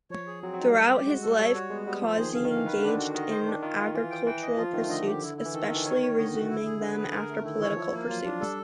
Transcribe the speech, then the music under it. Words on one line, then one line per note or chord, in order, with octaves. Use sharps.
Throughout his life Causey engaged in agricultural pursuits, especially resuming them after political pursuits.
F3 C#5
G#4
F#3 C4
F#3 D#4
G3
A#4
G4
G#3 F#4
A4
G3 C#5
F#4
G#3 B3
G3 B3
F3 C5
D#3 G#4
D3 F5
D#3
F5
E3
D#3 B4
D3
D4
D3
F#4
D#3 D#5
C5
D4
D#3 F4
F4
E3 F4
G5
E3 G5
D#5
F3 F4
D#3 A3
D3 D#5
G4
E4
E4
E3
D#3 A4
D#3
A4
E3
D#3 C#5
C#5
D3 D#5
F#4
E4
G#4
D3 B4
G#4
A#4
A3
D#3 E4
E3 C#5
F3 E4
A#3
F#3 F4
D4
G3 A4